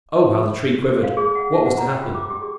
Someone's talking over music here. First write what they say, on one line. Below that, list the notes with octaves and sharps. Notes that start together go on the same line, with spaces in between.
Oh! how the Tree quivered! What was to happen?
F5
G#4
F#5
E5
F#5
A#5
G5
F4
D6
G4
G#4